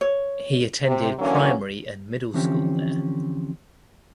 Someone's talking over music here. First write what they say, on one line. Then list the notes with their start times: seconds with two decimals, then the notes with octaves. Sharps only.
He attended primary and middle school there.
0.01 C#5
0.85 C3
1.18 D3 E3 F#3 A#3 C#4
2.34 D3 E3 F3 C4 C#4 G4